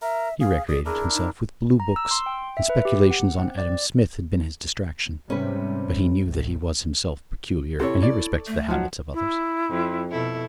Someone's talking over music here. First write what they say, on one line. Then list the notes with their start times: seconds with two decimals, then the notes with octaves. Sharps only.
He recreated himself with Blue Books, and speculations on Adam Smith had been his distraction;--but he knew that he was himself peculiar, and he respected the habits of others.
0.02 A#4 E5 A#5
0.40 G#4 F5
0.69 G#4 D5 D6 D#6
0.85 D4 E4 G#4 A#4
1.14 D#4
1.80 A#5
1.96 E6
2.11 C6
2.26 G5
2.57 E5
2.69 B4
2.85 G4
3.11 F#5
3.39 C4
3.58 D5
5.30 G#2 C3 G3 C#4 B4
6.23 A1
7.80 C3 E4 A4 C#5
8.02 D5
8.47 A3
8.68 F3 F#3 D#4
9.14 E4
9.70 F2
10.10 B2 E4 A4